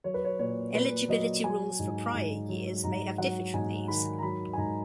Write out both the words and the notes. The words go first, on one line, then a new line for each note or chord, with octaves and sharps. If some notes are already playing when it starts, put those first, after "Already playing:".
Eligibility rules for prior years may have differed from these.
F#3 C#5
B4
C#5
A#2 C#5
A#2 B4
F#3 D#5
F#3 G#5
G#2
G#2
F#3
G#2 A#5
F#3 F#5
G#2 G#5
D#3 B5
A#5
F#3 B5
G#5
G#2 A#5